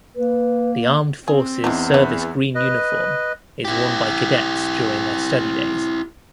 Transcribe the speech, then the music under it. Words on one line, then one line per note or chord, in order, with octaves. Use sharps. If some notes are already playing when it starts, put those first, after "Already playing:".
The Armed Forces service green uniform is worn by cadets during their study days.
A#3 B4
C4 G#4
E2 E3 D4 D#4
D4 B4 E5
B4 D#5
E4 G4